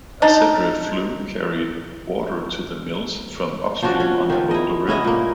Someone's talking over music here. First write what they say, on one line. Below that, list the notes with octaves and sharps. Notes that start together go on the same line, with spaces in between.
A separate flume carried water to the mills from upstream on the Boulder River.
D4 D#4 A5
F3 C#4 D4 F#4
C#4
D#3 F3
E4 D#5
B3 C#4 E4 D#5
A#2 A#3